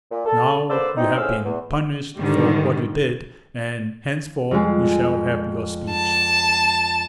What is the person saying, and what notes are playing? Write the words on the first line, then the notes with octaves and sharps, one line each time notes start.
Now you have been punished for what you did, and henceforth you shall have your speech.'
A#2
A4
D3 A#3 B4 C5 D5 E6
E3 G3 C4 D#4
A2 C#4 G#4 C5 F5 E6
E2
G#2 D3 D#3 G3
F2 G#3
A5